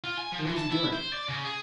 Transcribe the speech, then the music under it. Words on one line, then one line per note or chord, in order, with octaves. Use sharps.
"What is he doing?"
F4
G#5
F3
E3
A5
E4
C5
D5
C#3
G#4